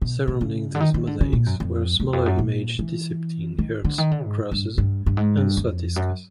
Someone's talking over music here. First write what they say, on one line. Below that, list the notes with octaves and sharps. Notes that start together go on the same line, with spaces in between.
Surrounding these mosaics were smaller images depicting hearts, crosses and swastikas.
B2
B2
C#3
D3
D#3
D#3
D3
C#3
A#2
F#2
F2
E2
F2
F#2
A#2
E3
D#3
D3
D#3
D3
G#2
G2
G2
G2
G#2
G2
F2
F#2